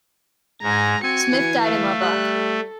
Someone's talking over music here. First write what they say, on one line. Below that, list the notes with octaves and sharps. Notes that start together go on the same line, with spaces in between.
Smith died in Lubbock.
G#2 G#5 A#5
C4 F#4 G#5 C#7
E3
A3 F5
G3 F#6
A4